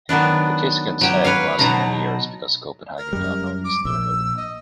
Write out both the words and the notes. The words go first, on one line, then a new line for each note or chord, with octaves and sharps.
The case against Hauge lasted many years because Copenhagen found no reason to hurry.
D#3 F#3 B3 D4
F#3 G4
B4 C#5 F5
B2 F#3 D#4 A5 A#5
A#4
F#2 G3
D6
A#1 E6
D#5